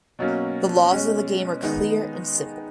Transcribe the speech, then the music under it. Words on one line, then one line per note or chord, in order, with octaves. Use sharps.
The laws of the game are clear and simple.
B2 F#3 A#3 C#4
B2 G#3 C#4
D#3 G#3 B3 D#4